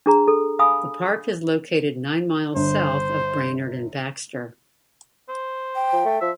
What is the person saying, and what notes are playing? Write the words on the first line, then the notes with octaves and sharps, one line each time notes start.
The park is located nine miles south of Brainerd and Baxter.
D4 G#4 A#5
A4
F5 G#5 B5 D#6 E6
G1 C5
C5
G5
F3
A3
F3 E5